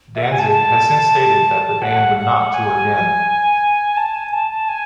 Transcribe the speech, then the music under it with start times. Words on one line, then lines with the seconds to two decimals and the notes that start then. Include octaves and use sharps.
Danzig had since stated that the band would not tour again.
0.16 E5
0.23 F#5
0.31 G#5
0.39 A5
1.82 F#5
2.18 F#5
2.54 G#5
3.97 A5
4.15 G#5
4.33 A5
4.51 A5
4.69 G#5